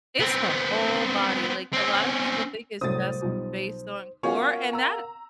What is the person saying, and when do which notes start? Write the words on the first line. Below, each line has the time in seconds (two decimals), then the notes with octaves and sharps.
It's the whole body, like, a lotta people think it's just based on core, and that
0.20 B3 C4
1.73 C4 C#4
2.81 C2 A2 F#3 C5 D#6 A6
3.21 B1 F3 G3
4.23 F3 B3 C#4 F#4 A#4 C#5 F5 F#5
4.73 A#5 E6